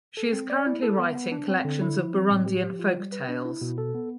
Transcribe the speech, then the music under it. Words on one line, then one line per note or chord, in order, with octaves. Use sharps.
She is currently writing collections of Burundian folk tales.
A4
C4
D5
E4
A4
B3
B3
D4
C4
D3
E4
F3
C4
A2
G4
F3
F4
G3
B4
D4
E4
B2
A4
B3